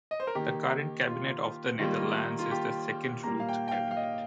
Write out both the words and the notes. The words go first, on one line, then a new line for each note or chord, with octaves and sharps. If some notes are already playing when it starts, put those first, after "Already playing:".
The current cabinet of the Netherlands is the Second Rutte cabinet.
D#5
C5
A#4
D#3 A#3 G4
F4
D#3 G3 A#3 F4
F4
G4
A#2 G3 A#3 A#5
F5
G5
G5
F5
F5
D#5